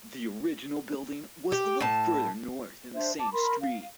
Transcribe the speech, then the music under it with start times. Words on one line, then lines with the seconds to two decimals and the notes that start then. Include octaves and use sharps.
The original building was a little further north in the same street.
1.52 G4
1.81 A2 A5
2.94 D4 C5 E5
3.19 A5 D6
3.33 A#4 B5 C6
3.61 F5